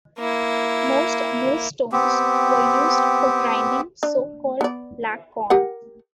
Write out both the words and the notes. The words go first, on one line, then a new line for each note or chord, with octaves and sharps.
Most millstones were used for grinding so called "black corn".
A#3 E4
B3 C4 G4
D4
B3 D5
G4 A#4 F#5